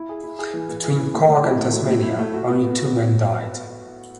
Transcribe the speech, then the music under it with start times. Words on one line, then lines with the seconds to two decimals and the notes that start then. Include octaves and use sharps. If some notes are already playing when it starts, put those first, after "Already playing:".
Between Cork and Tasmania only two men died.
Already playing: E4
0.09 G#4
0.24 E4
0.39 G#4
0.54 E3
0.69 E3
0.84 G#4
0.98 E3
1.14 A3
1.28 A3
1.43 E4
1.58 A3
1.73 F#3
1.88 A2
2.03 E4
2.19 A3
2.34 F#4
2.48 B3
2.63 B3
2.79 F#4